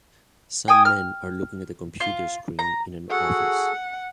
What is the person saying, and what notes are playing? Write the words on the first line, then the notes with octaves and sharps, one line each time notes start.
Some men are looking at a computer screen in an office.
G5 G#5 D#6
F6
F4
A#5
F#4 G#4 A4 F#5